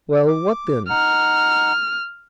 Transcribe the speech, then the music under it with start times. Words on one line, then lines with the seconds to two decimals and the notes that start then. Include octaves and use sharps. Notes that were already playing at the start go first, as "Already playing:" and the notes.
"Well, what then?"
0.28 D6
0.89 D#4 F#5 F6